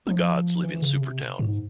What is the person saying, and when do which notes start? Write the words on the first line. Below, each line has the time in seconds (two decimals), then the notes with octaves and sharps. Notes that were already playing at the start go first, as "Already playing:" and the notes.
The gods live in Supertown.
0.07 F3
0.63 E3
0.82 C#3
1.01 C3
1.39 G#2